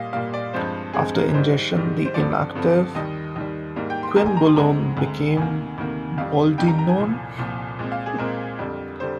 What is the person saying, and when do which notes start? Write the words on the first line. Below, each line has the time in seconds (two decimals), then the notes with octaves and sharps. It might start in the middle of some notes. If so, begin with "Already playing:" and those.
After ingestion, the inactive quinbolone becomes boldenone.
Already playing: A#2 G3 A#3 D#5 F5
0.13 A#2 G3 A#3 F5
0.34 D5
0.53 G2 F3 G#3 C4 C5
0.93 G2 F3 G#3 C4 G#4
1.14 A#4
1.34 G#2 D#3 G3 C5
1.75 G#2 D#3 G3
2.05 C5
2.14 G2 D3 F3 C4 D5
2.55 G2 D3 F3 C4
2.95 D#2 D#3 G3 D#5
3.36 D#2 D#3 G3
3.76 G#2 G3 A#3
3.90 G5
4.03 C6
4.16 G#2 G3 A#3 A#5
4.26 G#5
4.37 A#5
4.46 C6
4.56 D2 D3 G#3 C4 A#5
4.96 D2 D3 G#3 C4
5.37 D2 C3 D#3 A#3 G#5
5.78 D2 C3 D#3 A#3
6.18 F2 D#3 G3 F5
6.58 F2 D#3 G3 G5
6.68 A#5
6.79 A#5
6.88 G#5
6.98 C2 A#2 F3
7.38 C2 A#2 F3
7.79 A#2 G#3 C4
7.92 F5
8.06 G#4
8.19 A#2 G#3 C4 A#4
8.59 F2 D3 G3
9.00 D3 G3 C5